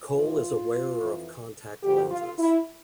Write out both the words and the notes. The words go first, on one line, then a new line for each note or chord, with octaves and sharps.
Cole is a wearer of contact lenses.
A2 E3 F4
F2 E3
D2 D3 F3 G4
F4
E4